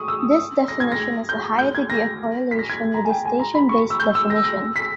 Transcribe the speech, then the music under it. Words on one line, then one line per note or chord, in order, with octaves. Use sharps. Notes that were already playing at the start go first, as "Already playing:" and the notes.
This definition has a high degree of correlation with the station-based definition.
Already playing: C#6 D#6
E6
A#6
G#6
A#6
G6
G6
G#6
A#6
B6
A#6
G#6
A#5
G#5
G5
G#5
A#5
B5
C#6
E6
G6
E6
A#6
A#6
B6